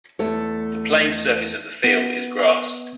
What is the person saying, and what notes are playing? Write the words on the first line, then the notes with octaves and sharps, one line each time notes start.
The playing surface of the field is grass.
E2 A3 A4 C#5
B3